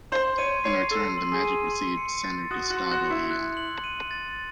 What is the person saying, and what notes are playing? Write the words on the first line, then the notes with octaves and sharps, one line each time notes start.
In return the Magic received center Gustavo Ayon.
C5 C6
C#5 D#7
C#5 C7
A4 E6
C6
G#4
D#7
C6
C#7
A6
F#4 D#6
F#4
C6
F#4
C#7
E4
F#6
F#7
D#7
A6